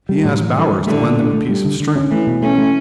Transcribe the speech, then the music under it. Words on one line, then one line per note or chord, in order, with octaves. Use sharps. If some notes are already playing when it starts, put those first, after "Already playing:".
He asked Bowers to lend him a piece of string.
G3
A2 F#3
E3
D3 G3
G3
D3 A3
B2
D4
A3
G3
D3
D3
C#4
E3 A3
B2
A3 C#4
A3